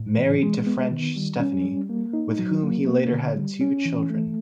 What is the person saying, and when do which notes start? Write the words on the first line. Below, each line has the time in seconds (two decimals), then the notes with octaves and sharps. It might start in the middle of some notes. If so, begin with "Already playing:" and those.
Married to French Stefani, with whom he later had two children.
Already playing: A2
0.18 E3
0.43 G#3
0.67 B3
0.91 D#3
1.16 G3
1.40 C#4
1.65 G3
1.89 A#3
2.13 D#4
2.39 F#3
2.63 A#3
2.88 A#3
3.12 D3
3.36 G3
3.61 C#4
3.85 E3
4.10 A3